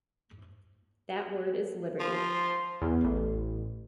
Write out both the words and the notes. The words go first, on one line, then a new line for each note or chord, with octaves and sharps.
That word is Liberty.
F3 C6
E2
A1